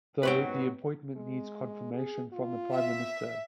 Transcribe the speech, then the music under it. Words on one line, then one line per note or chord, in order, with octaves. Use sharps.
Though, the appointment needs confirmation from the Prime minister.
G#2 F#3 B3 B4 C#5 G5
G#3
G#4
F4
E5